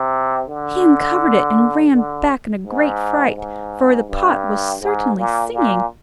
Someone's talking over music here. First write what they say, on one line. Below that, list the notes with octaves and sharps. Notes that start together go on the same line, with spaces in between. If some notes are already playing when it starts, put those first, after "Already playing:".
He uncovered it, and ran back in a great fright, for the pot was certainly singing!
Already playing: C3
D3
D3
G#2
G#2
G2
G#2
A#2
A#2